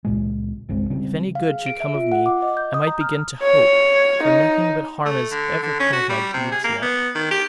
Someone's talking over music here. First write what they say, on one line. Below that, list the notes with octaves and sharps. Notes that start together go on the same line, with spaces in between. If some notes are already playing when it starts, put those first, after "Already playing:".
If any good should come of me, I might begin to hope; for nothing but harm has ever come of my deeds yet.
C#2 A#2 G#3
G1 C2 G#3 C4
C#3 G3 G#3 C4
F5
G#4
D7
E5
F4
F#5
D6
D#5
G6
D#6
A#5
F6
C#5
D#4
A3
D3
D3
C#4
F#4
G3
C3
G#4
A#3
B3
D#3
G4